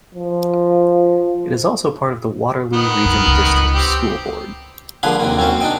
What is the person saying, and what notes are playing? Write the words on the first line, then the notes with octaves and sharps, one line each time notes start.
It is also part of the Waterloo Region District School Board.
F3
D#3 B3
G1 F#2
C#2 C4
C4 G4
D3 F3 A#3 G#4 B4 C6
D#2 C3 A#3
F#2 C4 C#4 C5
D4 D#4 D#5 G5